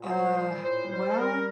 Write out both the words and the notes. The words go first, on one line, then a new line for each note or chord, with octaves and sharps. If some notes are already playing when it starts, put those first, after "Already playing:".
Uh, well,
Already playing: A#2
G3 C5
A#2 C5
A2 C5
G3 C5
A4
G3 A#4